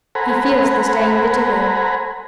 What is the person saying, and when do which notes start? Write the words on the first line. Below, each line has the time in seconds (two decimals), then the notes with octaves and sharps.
He feels the stain bitterly.
0.15 A4 C5 F#5 G#5 A#5 B5